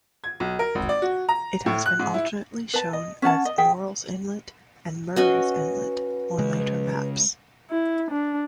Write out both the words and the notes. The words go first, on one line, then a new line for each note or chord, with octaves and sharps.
It has been alternately shown as "Morrall's Inlet" and "Murrays Inlet" on later maps.
G#6
B1
A#4
G#1
D5
F#4
A#5
A2
F#6
G#2
E4
B4 A5
D#5
C#4 C#5 F#5 A5
D#5
G#4 E5 G5
C#4 F#4 B4 D#5
C#3 G#3
E4
D4